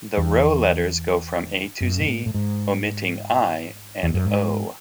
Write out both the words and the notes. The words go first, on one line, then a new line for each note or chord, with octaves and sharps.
The row letters go from A to Z, omitting I and O.
E2
F#2
B2
A2
A2
G#2
E2
F#2
G#2